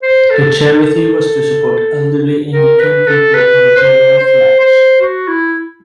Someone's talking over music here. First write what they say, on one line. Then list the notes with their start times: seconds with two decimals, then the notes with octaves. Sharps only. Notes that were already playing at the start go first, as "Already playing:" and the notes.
The charity was to support elderly Anglican people in the area of Leigh.
0.03 C5
0.30 A4
0.57 A4
2.51 A#4
2.79 B4
3.07 A4
3.34 B4
3.76 C5
4.18 C5
4.60 C5
5.01 F#4
5.28 E4